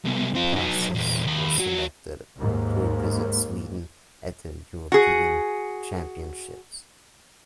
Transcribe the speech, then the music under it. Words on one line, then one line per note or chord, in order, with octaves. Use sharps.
Castles was selected to represent Sweden at the European Championships.
C2 B2
C4 F4
F#3 D#4
E2 A#2
D#2 B5
F3 F#4
D#2 G#2
F#4 G#4